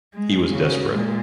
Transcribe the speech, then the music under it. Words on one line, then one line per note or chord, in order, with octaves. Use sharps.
He was desperate.
G#3
C#3 F#4
A#2 G#3